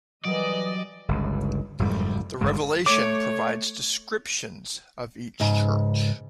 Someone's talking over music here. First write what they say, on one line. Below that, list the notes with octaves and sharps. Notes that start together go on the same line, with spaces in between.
The Revelation provides descriptions of each Church.
E3 F#3 G3 D5 D#5
G1 C#2
F#1 F2 G#2 G3
G1 G2 C#3 G#3
A3 C#5 D6
C#2 G#2